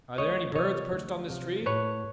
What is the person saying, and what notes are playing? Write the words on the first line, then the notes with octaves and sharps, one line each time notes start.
Are there any birds perched on this tree?
D2 C#5 D#5
C3 F3 C#5 D#5
D2
C3 F3
A2 B4 C#5